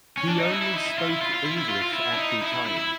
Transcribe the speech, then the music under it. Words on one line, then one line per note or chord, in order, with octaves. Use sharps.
He only spoke English at the time.
C#4
D4
D#4
E4
E4
D#4
E4
F4
E4
F4
F4
E4
E4
F4
F4
E4
D4
D#4
E4
E4
E4
E4